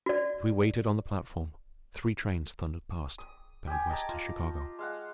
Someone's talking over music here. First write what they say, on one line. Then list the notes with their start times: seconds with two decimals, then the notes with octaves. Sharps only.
As we waited on the platform, three trains thundered past, bound west to Chicago.
0.06 F#4 D5
3.18 D#6
3.67 G4 G5 G#5 D#6
3.90 D#5 A5 A#5 D6
4.09 F4
4.79 G#3 F5 F#5